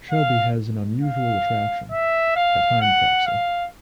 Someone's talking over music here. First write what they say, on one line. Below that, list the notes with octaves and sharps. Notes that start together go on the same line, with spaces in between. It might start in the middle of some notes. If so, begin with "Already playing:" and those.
Shelby has an unusual attraction - a time capsule.
F5
F5
E5
F5
F#5
F5